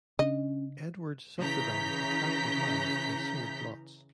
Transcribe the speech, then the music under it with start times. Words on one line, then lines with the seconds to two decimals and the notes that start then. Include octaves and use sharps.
Edwards subdivided a tract of land and sold lots.
0.19 C#3 C#4 D4 D#5
1.39 C#3 E3 A#5 G6 B6